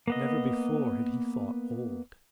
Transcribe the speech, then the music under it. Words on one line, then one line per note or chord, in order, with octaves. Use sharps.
Never before had he thought old.
A#3 B3 D#5